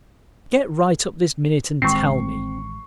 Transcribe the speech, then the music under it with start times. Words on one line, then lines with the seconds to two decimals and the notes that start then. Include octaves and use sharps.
Get right up this minute and tell me.
1.82 A1 D#3 G#3 C4 C#6 C7